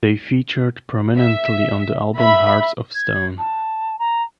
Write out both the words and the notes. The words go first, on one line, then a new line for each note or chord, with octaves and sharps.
They featured prominently on the album "Hearts Of Stone".
E5
E5 B5
G#6
A5
A#5